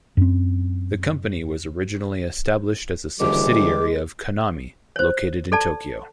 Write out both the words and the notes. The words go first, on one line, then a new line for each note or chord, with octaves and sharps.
The company was originally established as a subsidiary of Konami, located in Tokyo.
F#2 C4
F#1 D3 E3 G3 G#3 D6
C5 C#5
A4 D5 A5